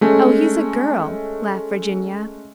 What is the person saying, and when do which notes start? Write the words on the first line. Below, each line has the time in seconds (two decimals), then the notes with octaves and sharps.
"Oh, he's a girl!" laughed Virginia.
0.01 G#3 A3 C#4